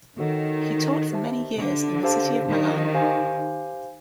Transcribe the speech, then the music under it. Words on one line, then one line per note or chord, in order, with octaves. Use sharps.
He taught for many years in the city of Milan.
D#3 F#4 A4 C#5 F#5
G4 C5 E5 A5
D3
D4 G4 C5 F5 A5
D#3
G4 C5 F5 G#5